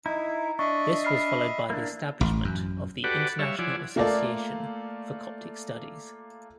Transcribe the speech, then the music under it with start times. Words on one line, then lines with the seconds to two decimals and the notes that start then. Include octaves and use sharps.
This was followed by the establishment of the "International Association for Coptic Studies".
0.06 D#4 E4 A#5
0.59 D4 D#5 E5 C#6
1.05 B5 F6 C7
1.70 A#3 D4 E4
2.21 A1
2.45 F#2
3.04 F#4 G4 A4 B4 D5 F#5
3.39 G3 C#5 E5 F5
3.59 F3 E4 D5 F#5 G#5
3.96 A3 A#3 F4 A4 D5